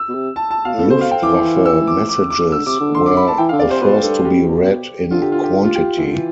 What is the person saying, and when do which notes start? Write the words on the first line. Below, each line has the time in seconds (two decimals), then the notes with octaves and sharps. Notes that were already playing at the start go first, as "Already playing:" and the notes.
Luftwaffe messages were the first to be read in quantity.
Already playing: E6
0.09 B2
0.15 C3
0.36 A5
0.51 A5
0.65 B2 F5
0.74 A2
0.79 A4
0.84 B2
0.90 C5
1.01 F5
1.11 G5
1.23 E3 D6
1.65 E6
1.87 D6
2.09 D6
2.30 D6
2.52 D3 E6
2.66 C3 D6
2.80 D3
2.95 C6
3.06 D6
3.17 B5
3.27 A5
3.38 E3 G5
3.49 F5
3.53 D3
3.59 D5
3.68 C3 C5
3.81 B2 B4
4.03 G2 A4
4.25 B2 G4
5.11 D3 F4
5.22 G4
5.32 F4
5.43 G4
5.65 F4
5.76 G4
5.97 E3
6.05 D3
6.14 E3